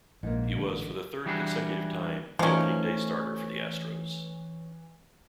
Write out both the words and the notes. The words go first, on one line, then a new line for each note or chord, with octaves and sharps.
He was for the third consecutive time, the opening day starter for the Astros.
A#1 G#2 A#3
A1 D3
E3 G3 D4 F#4 G#4
E3 F3 A3 C#4 D#4